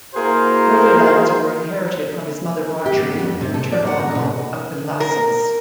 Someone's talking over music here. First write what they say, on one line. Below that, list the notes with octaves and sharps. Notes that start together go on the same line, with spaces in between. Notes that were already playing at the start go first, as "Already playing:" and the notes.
Further lands were inherited from his mother Marjorie and maternal uncle Duncan Lascelles.
A#3 E4 F#4 G#4 A#4 C5
G4
B3
F2
C3
A4
D5
F#5
A#4
B2
A#4